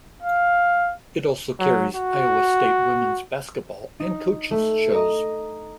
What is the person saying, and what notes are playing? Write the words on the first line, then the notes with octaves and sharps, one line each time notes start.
It also carries Iowa State women's basketball and coaches' shows.
F5
F#3
F#4
D#4
A3
D#5 A#5